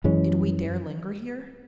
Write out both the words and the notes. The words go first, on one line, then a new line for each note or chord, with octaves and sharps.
Did we dare linger here?
F#2 E3 G#3 C#4